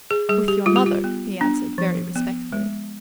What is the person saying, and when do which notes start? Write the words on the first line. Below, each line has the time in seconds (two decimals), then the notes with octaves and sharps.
"With your mother," he answered very respectfully.
0.11 G#4
0.29 G3 G#4
0.48 G4
0.66 G3 F4
0.76 G4
0.86 F4
1.04 B3
1.41 B3 D4
1.78 F3
2.15 B3
2.52 G#3